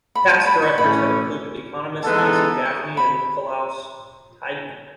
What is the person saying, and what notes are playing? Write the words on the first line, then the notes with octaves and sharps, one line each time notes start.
Past directors have included economists Mason Gaffney and Nicolaus Tideman.
B5
A5
B5
C#6
A2 E3 A3 C#4 B5
E3 G#3 B3 D#4 A4 A5
G#5
C#6
B5